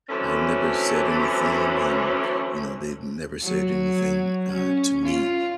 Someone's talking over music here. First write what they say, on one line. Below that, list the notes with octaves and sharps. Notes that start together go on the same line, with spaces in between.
I never said anything, and, you know, they never said anything, uh, to me.
D3 E3 F#3 A3 C4 C#4
F#3
C#4
F4